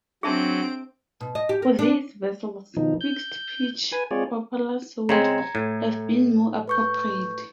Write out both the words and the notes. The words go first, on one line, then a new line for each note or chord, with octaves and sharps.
For these vessels, fixed-pitch propellers would have been more appropriate.
F#3 C4 D4 G#4 E5 A5 D7
B2
D#5
G4
A#4
D4
B2 D#3 F3 D#4
G6
B4 G#5
G#3 C4 F4 G#4 C#5 D5
C#3 G#3 C4 A#5 G#6 C#7
A2
B4 C#6 G6